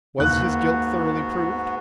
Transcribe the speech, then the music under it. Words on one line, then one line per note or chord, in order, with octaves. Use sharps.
Was his guilt thoroughly proved?
D#2 G#2 B3 F#4 F#6